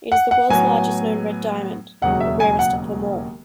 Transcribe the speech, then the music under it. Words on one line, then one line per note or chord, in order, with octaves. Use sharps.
It is the world's largest known red diamond, the rarest of them all.
F#5
F#5
A2 F#3 B3 G#5
E1 D#2 C#3 F#3 F#5
E5
G#5
F#5